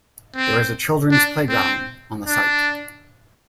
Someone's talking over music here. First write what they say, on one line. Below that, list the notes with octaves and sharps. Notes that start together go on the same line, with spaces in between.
There is a children's playground on the site.
C4
D4
C4
D4